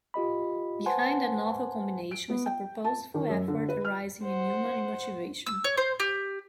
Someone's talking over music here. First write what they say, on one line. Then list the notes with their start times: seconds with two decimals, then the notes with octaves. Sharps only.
Behind that novel combination is a purposeful effort arising in human motivation.
0.14 F4 G4 D#5 B5
0.86 B4 C5 F#5 G#5 A5 C6
2.11 D7
2.30 B3
2.46 G5
2.84 A5
3.14 D#3
3.29 F#2
3.48 D3
3.69 B4
3.85 F6
4.23 C5 F#5
5.46 E6
5.64 C#5
5.77 C5
6.00 G4